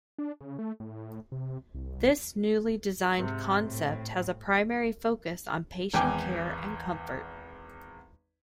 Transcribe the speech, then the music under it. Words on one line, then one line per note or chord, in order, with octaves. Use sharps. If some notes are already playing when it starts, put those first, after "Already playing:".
This newly designed concept has a primary focus on patient care and comfort.
D4
C#3
A3
A2
C3
C2
G#2 C3
A2 C4
G#1 E2 G5 G#5 D6